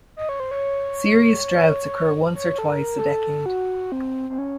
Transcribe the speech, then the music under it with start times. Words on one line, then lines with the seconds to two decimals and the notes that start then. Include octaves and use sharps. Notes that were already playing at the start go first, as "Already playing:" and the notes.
Serious droughts occur once or twice a decade.
0.17 D#5
0.29 C#5
0.40 C5
0.51 C#5
2.35 C#5
2.58 A4
2.68 A#4
2.98 A4
3.46 F#4
3.92 C4
4.30 C4
4.39 C#4